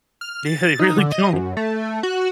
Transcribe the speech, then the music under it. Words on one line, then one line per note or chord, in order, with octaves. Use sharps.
Yeah, they really don't.
F6
A6
D#4
D3
D#5
F#2
A3
F#4